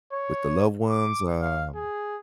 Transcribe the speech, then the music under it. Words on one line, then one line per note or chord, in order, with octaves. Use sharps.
with the loved ones, um
C#5
D6
F5
G#4